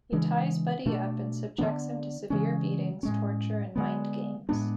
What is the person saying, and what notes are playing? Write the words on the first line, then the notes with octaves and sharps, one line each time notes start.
He ties Buddy up and subjects him to severe beatings, torture and mind games.
C#3 E3 G#3 D4
B2 A3 D4
D3 F#3 B3 D4
C#3 E3 G#3 C#4
A2 G#3 C#4
D3 G#3 B3
A2 G#3 B3 D4